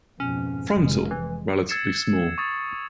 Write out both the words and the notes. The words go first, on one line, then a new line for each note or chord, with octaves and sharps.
Frontal: Relatively small.
F2 G#2 B2 C#4
F1 G#3
E3
E6 G#6 A6 C7 C#7 E7
C#6 D#6 A6